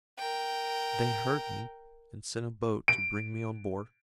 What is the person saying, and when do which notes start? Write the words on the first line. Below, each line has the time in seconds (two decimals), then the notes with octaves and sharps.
They heard me, and sent a boat to bring me on board.
0.18 A#4 G5
2.88 D7